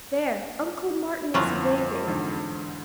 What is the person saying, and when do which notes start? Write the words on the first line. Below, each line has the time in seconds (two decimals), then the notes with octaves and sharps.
There, Uncle Martin is waving.
1.34 G1 F2 F#3 E4 F4 G#5
2.08 E2 G#2 D3